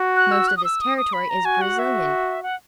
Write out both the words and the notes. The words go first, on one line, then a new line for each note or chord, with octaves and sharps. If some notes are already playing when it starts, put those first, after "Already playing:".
Most of this territory is Brazilian.
Already playing: F#4
F#6
E6
F#6
D#6
E6
D#6
D#6
B5
A#5
F#4 G#5
F#5
E5
F#5